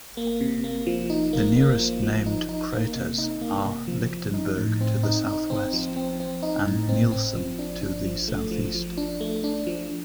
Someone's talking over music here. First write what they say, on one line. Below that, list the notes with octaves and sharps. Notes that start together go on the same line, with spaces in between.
The nearest named craters are Lichtenberg to the southwest and Nielsen to the southeast.
A#3
C3
A#3
F3
D#4
A#3
A#3
F3
F3
D#4
D#4
A#3
C3
D#4
A#3
C3
F3
F3
D#4
A2
C4
D#4
D#4
C4
F3
C4
C4
D#4
A2
C4
C4
F3
D4
D4
F3
A3
F3
F3
D4
A3
D4
F3